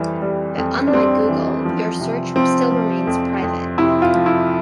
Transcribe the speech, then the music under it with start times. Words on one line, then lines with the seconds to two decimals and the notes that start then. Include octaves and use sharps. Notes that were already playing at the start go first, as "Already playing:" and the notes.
But unlike Google, your search still remains private.
Already playing: F2 E3 G3
0.22 G3
0.58 F2
0.87 D4
0.93 G3 C4
1.29 E3
1.65 F3
2.00 C3
2.36 F3 C4
2.71 F3
3.07 F2
3.43 F2
3.78 C3 E4
4.02 F4
4.14 F3
4.26 E4